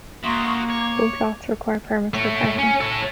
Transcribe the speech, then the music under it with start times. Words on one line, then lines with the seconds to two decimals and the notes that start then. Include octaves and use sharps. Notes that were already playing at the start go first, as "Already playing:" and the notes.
Both lots require permits for parking.
0.24 A#3 F#4 E5 C6 C#6 D#6
0.69 C#5 D6
2.14 A3 C#5
2.59 C#4
2.81 A4 C#5